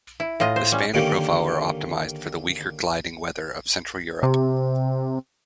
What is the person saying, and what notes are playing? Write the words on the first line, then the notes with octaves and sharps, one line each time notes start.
The span and profile are optimised for the weaker gliding weather of central Europe.
E4
A2 F4 D#5
C5
G3 C#4
D3 D#3 A#3 C#4 G4
C3